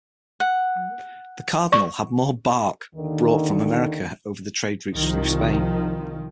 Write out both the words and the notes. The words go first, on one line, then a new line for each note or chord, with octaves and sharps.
The cardinal had more bark brought from America over the trade routes through Spain.
F#5
D5 C#6
D#2 D3 D#3
C2 D#3 F3